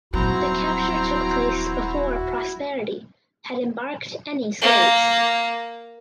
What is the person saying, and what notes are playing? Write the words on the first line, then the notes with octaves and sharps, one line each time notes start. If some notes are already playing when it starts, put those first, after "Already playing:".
The capture took place before "Prosperity" had embarked any slaves.
D#1 F#3 C4 E4 F#4 A#5
A#3